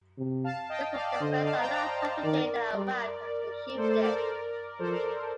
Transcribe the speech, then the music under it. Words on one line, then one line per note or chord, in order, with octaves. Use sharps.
This was the first and last time to date that Iraq have achieved this.
C3
F5 A5
D#5 G5
D5 F5
D5
D3 C5 D#5
D5 F5
F5 A5
G5 A#5
G5 A#5
F5 A5
D#3 A#4 D5
G3
A3 A4 C5
A4 C5
A#4 D5
A#4 D5
F3 A4 C5
A#4 D5
A#4
A#4